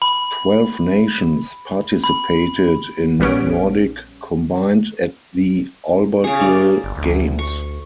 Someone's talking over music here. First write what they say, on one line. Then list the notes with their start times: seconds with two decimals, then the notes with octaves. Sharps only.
Twelve nations participated in Nordic combined at the Albertville Games.
0.02 B5
2.04 B5
3.19 A#1 G3 B3 C#4 D7
6.24 C#3 G#4
6.39 A#3 D5
6.84 G1
6.97 D2
7.39 C#6